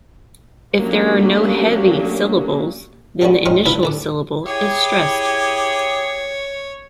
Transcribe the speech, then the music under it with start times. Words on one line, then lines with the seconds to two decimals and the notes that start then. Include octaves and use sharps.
If there are no heavy syllables, then the initial syllable is stressed.
0.77 F#3 A3 A#3 C#4 D4 G4
3.21 F3 G3 A3 B3 C#4 F#4
3.46 G#3 C4 C#4 D#4 F4 F5
3.66 C#2 G#2 E4 B4 E5 F5
3.83 D2 A4 D6
4.46 E4 G4 G#4 C#5